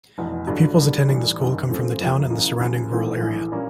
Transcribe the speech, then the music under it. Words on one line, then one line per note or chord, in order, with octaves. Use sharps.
The pupils attending the school come from the town and the surrounding rural area.
F1 E2 B2
G1 G2 D3 F#3
D#2 D3 G3
B1 A2 E3 G3
F#1 F#2 D#3
D#2 C#3 F3 A3 C4
F#1 F2 C3 F3 A#3
F#1 E2 C#3 F3 A#3
D#2 C#3 F3
G#1 G#2 E3 A3 C4
A#1 A2 E3
A#2 G3 A#3 C#4